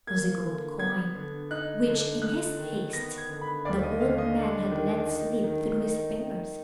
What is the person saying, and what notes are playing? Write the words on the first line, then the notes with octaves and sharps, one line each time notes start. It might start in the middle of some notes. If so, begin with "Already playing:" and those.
It was a gold coin, which, in his haste, the old man had let slip through his fingers.
A#3 G#6
D3
B3 G#6
D3
D#4 F#6
D3
D#4 F#6
D#3
B3 A#6
G#6
D3
B5
D#2 D5
D#5
D3 F5
D#5
D4
D#3
D#4
D#3
D#4
D#3